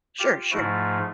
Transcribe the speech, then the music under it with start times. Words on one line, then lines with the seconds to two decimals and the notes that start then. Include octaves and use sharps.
Sure sure.
0.19 F4 G4
0.51 G#2 F3 A3 E4 F#4